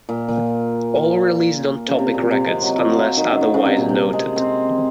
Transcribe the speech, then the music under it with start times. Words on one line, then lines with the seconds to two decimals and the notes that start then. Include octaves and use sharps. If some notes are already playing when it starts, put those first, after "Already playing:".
All released on Topic Records unless otherwise noted.
0.09 A#2
0.28 A#2
1.88 C#3
1.99 C3
2.14 A#2
2.31 C3
2.46 G#3
2.63 F#3
2.78 F3
2.94 F#3
3.17 D#3
3.31 C#3
3.41 D#3
3.54 C#3
3.65 C3
3.77 A#2
3.89 C3
4.13 G#3
4.36 C4